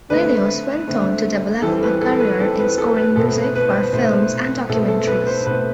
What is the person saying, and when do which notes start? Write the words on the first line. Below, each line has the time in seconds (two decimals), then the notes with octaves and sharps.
Lanois went on to develop a career in scoring music for films and documentaries.
0.10 D3 A3 C4 B4
0.87 D3 A3 C4
1.62 E3 G3 C4 A4
1.83 B4
2.01 A4
2.20 B4
2.39 E3 G3 C4 A4
2.59 B4
2.78 A4
2.96 B4
3.16 B2 A3 C4 A4
3.42 B4
3.55 B4
3.67 C5
3.93 B2 A3 C4 C5
4.69 B2 A3 C4 A4
4.88 A4
5.07 B4
5.27 C5
5.46 B2 A3 C4 B4